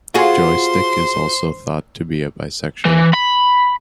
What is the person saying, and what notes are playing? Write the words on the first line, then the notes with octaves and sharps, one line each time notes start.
Joystick is also thought to be a bisexual.
F4 F#4 G#4 C5 C6
E3
B5